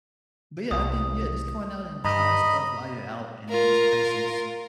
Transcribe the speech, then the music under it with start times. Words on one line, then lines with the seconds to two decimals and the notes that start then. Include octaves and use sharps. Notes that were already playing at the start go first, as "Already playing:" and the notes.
but yeah, I think yeah, just going out and trying stuff while you're out in these places
0.71 C2 D#6
2.05 G2 D#5 A#5 B5
3.49 F4 A#4